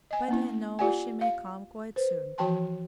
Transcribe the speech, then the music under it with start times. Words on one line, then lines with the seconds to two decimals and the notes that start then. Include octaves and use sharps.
But I know she may come quite soon.
0.11 D#5 G#5
0.28 A#3 C#4 E4
0.79 F4 G4 D5 F#5 G#5
1.21 F5
1.96 B4 C5
2.38 E3 F3 F#4 G5 A5 C6